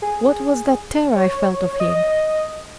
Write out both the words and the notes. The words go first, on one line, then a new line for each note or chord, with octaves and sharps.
What was that terror I felt of him?
G#4
C#5
D#5